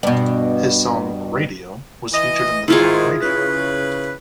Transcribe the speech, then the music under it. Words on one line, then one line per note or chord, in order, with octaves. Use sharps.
His song "Radio" was featured in the film Radio.
G2 B2
E3 D#5
G#2 D#3 E4 F4 G#4
C#3 B4